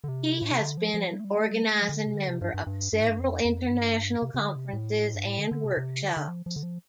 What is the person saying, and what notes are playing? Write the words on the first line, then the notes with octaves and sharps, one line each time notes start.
He has been an organizing member of several international conferences and workshops.
D3
C3
A2
C3
D3
F3
F3
G3
A3
G3
A3
G3
A3
F3
D3
C3
D3
C3
G2
G2
G2
G2
A2
G2
F2
F2
G2
C3
C3
D3
C3
A2
G2
A2
D3
D3
C3
C3
D3
D3
F3
F3
D3
F3